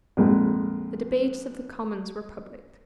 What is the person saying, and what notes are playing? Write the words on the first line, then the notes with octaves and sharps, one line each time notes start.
The debates of the Commons were public.
A#1 F2 G#2 G#3